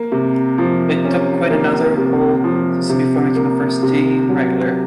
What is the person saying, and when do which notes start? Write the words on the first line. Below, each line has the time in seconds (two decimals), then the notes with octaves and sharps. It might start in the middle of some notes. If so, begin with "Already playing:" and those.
It took Quinn another whole season before he became a first team regular.
Already playing: A#3
0.12 C3
0.58 F3
1.05 C#4
1.50 A#3
1.98 C3
2.44 F3
2.89 C3
3.35 A#3
3.83 C3
4.29 F#3